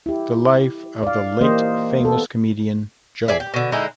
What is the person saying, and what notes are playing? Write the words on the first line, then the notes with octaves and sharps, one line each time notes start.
The Life of the Late Famous Comedian, Jo.
E4 G4
D5 F5
E3 A#3 G4 C5 D#5
B3 A4
G#4 D5 E5
G4
B2 D3
D3 G#3 D#4 E4